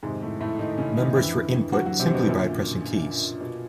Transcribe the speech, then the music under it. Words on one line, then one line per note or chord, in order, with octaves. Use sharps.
Numbers were input simply by pressing keys.
F2 G#2 C3 D#3 G#3
A2 A3
A2 A3
D#3 D#4
C#3 C#4
D#3 D#4
F2 D3 E3 E4
F#3 F#4
F#3 F#4
C3 C4
B2 B3
F#2 A#2 D3 A#3
B2